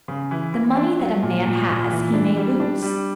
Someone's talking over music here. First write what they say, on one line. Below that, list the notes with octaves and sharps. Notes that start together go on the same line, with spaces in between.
The money that a man has he may lose.
C#3
E3
E3
D4
F#3
A#2
A#2
A#2
E3
D4
G3
D4
G3